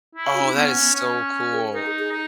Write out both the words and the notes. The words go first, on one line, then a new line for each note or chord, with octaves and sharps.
Oh, that is so cool.
E4
F#4
C#4
D#4
B3 C#4
C#4
G#4
D#4 A#4
G#4
G#4
D#4